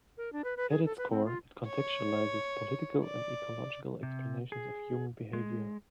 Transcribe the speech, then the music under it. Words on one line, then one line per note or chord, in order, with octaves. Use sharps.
At its core, it contextualizes political and ecological explanations of human behavior.
A#4
D4
B4
B4
G#4
A4
B4
C4
F4
C#5
D5
C3
G#4
G#3